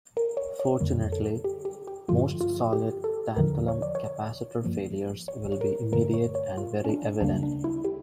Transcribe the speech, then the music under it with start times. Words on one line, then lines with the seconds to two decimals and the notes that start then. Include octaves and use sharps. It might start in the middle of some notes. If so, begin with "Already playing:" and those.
Fortunately, most solid tantalum capacitor failures will be immediate and very evident.
0.17 A#4
0.37 C#5
0.60 C#5
0.80 F2 D3 G3 A#3
1.12 A4
1.44 G4
1.65 G4
1.87 G4
2.08 G2 D3 F3 A3 F4
2.41 F4
2.73 G4
3.04 A4
3.36 E2 D3 F3 A#4
3.68 C#5
3.82 D5
3.95 C#5
4.64 G2 F3 A#3
5.28 C#5
5.52 C#5
5.61 A#4
5.92 G2 D3 A3 A#4
6.14 C#5
6.35 C#5
6.57 F4
6.85 C#4
6.89 D4
7.21 D2 C#3 G3 A#3 D4
7.43 D4
7.64 E4
7.85 G4